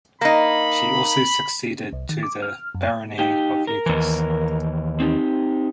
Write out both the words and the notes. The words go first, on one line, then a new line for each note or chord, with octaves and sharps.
She also succeeded to the Barony of Lucas.
A#3 D#4 B5
C2
D#3
D6
F6
F#2
D#4 G4
A#4
D#2 E3
C4 D#4 G4